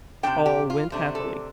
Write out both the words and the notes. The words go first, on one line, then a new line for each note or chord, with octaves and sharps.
All went happily.
C3 A3 D4 G5
G4
F4
C3 A3 D4
A4